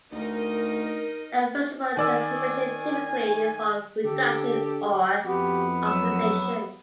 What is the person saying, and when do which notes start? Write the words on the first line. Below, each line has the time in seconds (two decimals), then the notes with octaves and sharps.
Irreversible transformation typically involve reduction or oxidation.
0.12 D2 D#4 A#4 D#5
1.97 D#3 D5 G#5 E6
4.05 D3 G4 A4
5.24 F2 B3 F#4 G4
5.85 F#3 E6